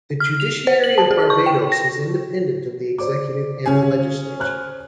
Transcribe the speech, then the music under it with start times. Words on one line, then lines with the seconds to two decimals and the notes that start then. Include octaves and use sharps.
The judiciary of Barbados is independent of the executive and the legislature.
0.20 F6
0.40 F7
0.67 C5
0.84 F#7
0.98 A5
1.11 G#4
1.30 C#6
1.46 G5
1.72 A#6
2.98 C5 D5 D6
3.66 G1 C#3 C#4 G#4
4.39 C5 F6 F#6